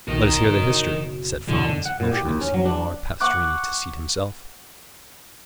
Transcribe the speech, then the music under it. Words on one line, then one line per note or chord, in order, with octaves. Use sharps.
"Let us hear the history," said Franz, motioning Signor Pastrini to seat himself.
B1 D#3 A#4 D#5
F#1 B2
F#2 B2 D3 E3
F#5
A#2
G4
D#2
C#4
F#3
D4
F#5 C#6 D6 F#6